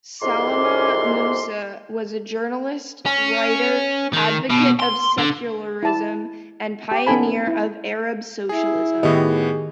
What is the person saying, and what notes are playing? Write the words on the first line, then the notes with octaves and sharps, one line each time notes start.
Salama Musa was a journalist, writer, advocate of secularism, and pioneer of Arab socialism.
C2 F2 G#2 C6 D6
C#4
D#3
B2
C6
D3
E4 A5
G4
B3 C#4 D#4 A4 G#5 B5
E4
E4 G#4
A2 D#3 B3 G4 G#4 D#5